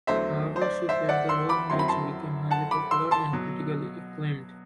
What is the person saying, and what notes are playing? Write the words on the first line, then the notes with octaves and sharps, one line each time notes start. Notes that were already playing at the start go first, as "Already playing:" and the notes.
However she played the role which became highly popular and critically acclaimed.
E2 D3 F#3 A3 C5 E5
C5
D5
C5 E5
D5 F#5
C6 E6
B5 D6
F#2 F#3 C4 E4 C6
B5
A5 C6
F#5 A5
B5 D6
C6 E6
A5 C6
B2 F#3